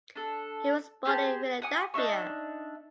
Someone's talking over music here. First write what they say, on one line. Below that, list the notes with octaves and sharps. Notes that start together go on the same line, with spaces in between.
He was born in Philadelphia.
D4 A4
G4 G#4 C5 A5
F#5 G#5 D#6
D4 D#4 E5 C#6